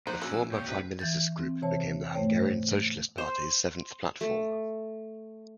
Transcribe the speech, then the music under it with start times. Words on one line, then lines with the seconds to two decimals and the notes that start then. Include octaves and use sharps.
The former Prime Minister's group became the Hungarian Socialist party's seventh platform.
0.07 A#2 F3 D#4 C5 F#5
0.21 F#3 C#4 E6
0.52 A#2 C#3 C#5 G5
0.66 D2 C3 B4
1.00 E3 G6 A6
1.39 C4
1.62 C3 E3 C5 C#5 A5
2.14 G#2 A3 C5 C#5 G5
2.38 C5
3.18 C5
4.21 A3